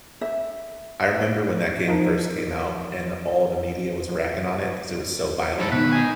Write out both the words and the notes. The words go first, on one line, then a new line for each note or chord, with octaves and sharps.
I remember when that game first came out and all the media was ragging on it 'cause it was so violent.
E5
F3 D#4 A#4
G#2 E4 A4
B2 D3 D#3 B4
D#4 G#5